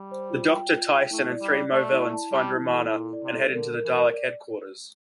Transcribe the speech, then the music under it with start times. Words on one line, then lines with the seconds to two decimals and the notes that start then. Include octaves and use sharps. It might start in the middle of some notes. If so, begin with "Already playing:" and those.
The Doctor, Tyssan and three Movellans find Romana and head into the Dalek headquarters.
Already playing: G3
0.11 C5
0.30 F4
0.51 G5
0.71 F4
0.91 G5
1.11 A3 E4
1.31 D5
1.42 G3
1.52 D5
1.72 A3 D5
1.92 E4
2.12 A5
2.32 G3 A5
2.53 E4
2.63 E3
2.72 A4
2.92 A#2 E4
3.13 D5
3.23 C3
3.34 A4
3.53 D3 A#4
3.74 A#4
3.84 E3
3.94 A#4
4.13 D5